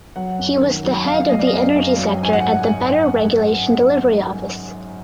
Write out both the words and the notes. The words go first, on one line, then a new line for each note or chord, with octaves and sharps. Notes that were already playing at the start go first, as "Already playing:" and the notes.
He was the Head of the Energy Sector at the Better Regulation Delivery Office.
F#3 F#5
F#2
D#3
F#3
F#2 F5
F#2 D#5
D5
D#5
F#2
F#2
F#3
G#2 G#5
F#5